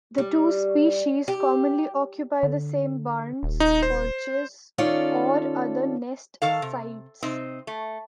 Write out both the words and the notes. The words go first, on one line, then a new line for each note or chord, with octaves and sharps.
The two species commonly occupy the same barns, porches, or other nest sites.
G3
G4
D3
D#1
D#4
C5
D#3 C#4 F4 A4 D5
D#3 A4 F5
C3
C3 C4 D#4
A3